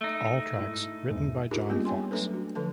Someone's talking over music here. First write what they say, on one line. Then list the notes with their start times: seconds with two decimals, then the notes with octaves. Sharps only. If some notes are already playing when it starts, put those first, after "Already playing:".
All tracks written by John Foxx.
0.01 A3 D#4
0.58 G#2 E4
1.11 E2 G#2
1.51 D4 D#4 F4 G4 G#4 A#4
1.70 G3 A#3 B3 C#4 F4 G4
1.85 C#5 G5 G#5 C6
2.11 F#3 A3 D4 A4 B4
2.33 F#4
2.55 D3 F3 A4 B4 A5